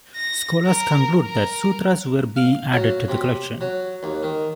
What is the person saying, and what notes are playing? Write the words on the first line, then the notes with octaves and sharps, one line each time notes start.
Scholars conclude that sutras were being added to the collection.
A#6
A#4
A#4
F5
F#3
C3
F#3
D#2
D#3